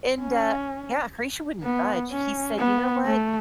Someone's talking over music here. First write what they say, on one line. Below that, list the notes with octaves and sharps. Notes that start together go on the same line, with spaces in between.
And, uh Yeah, Horatio wouldn't budge. He said, "You know what?
C#4
B3
C#4
B3
A3